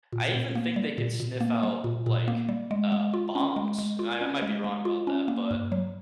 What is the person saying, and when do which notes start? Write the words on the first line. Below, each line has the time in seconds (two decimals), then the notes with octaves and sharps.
I even think they can sniff out, like, um, bombs, and I I might be wrong about that, but
0.13 A#2
0.34 A#2
0.55 A#3
0.76 G3
0.98 A#2
1.20 A#2
1.41 A#3
1.63 G3
1.84 A#2
2.06 A#2
2.28 A#3
2.49 G3
2.71 G#3
2.92 G#3
3.14 F4
3.35 C#4
3.56 G#3
3.78 G#3
3.99 F4
4.21 C#4
4.42 G#3
4.64 G#3
4.85 F4
5.07 C#4
5.28 A#3
5.51 G2
5.72 F#3